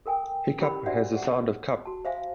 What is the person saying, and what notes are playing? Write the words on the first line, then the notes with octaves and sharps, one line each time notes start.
Hiccough has the sound of "cup"......
A4 A#4 G5 G#5
C#4 E4 G4 A#4 B5
D4 F#4 C5 D5 E5 F#5
G#4 F#5
F#4 A5
C5 E5 F5 G#5